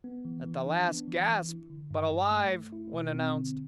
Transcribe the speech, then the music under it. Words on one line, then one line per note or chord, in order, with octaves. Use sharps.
"At the last gasp, but alive," one announced.
B3
E3
E3
D4
B3
E3
E3
E4
D3
G2
G2
A3
A3
E4
B2
C4
D3